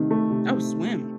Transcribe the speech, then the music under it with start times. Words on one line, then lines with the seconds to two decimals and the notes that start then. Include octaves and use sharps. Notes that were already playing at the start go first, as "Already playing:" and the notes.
Oh, swim.
Already playing: C3 D#3 A3 C4
0.11 A3
0.31 C3
0.51 C4